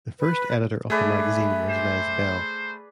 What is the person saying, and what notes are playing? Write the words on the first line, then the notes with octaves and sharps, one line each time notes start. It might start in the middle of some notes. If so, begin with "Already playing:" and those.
The first editor of the magazine was Les Bell.
B4
A3 G#4 B4 D5 E5
C5